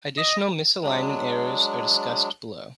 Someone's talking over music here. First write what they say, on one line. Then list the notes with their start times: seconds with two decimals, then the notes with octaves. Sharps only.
Additional misalignment errors are discussed below.
0.17 D#5
0.83 F#3 G#3 D4